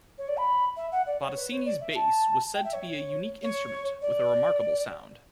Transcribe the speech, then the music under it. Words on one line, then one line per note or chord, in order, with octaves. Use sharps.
Bottesini's bass was said to be a unique instrument with a remarkable sound.
C#5
D5
B5
E5
F#5
D5
C#5
B4
C#5
D5
E5
A5
G5
E5
C#5
C#5
D5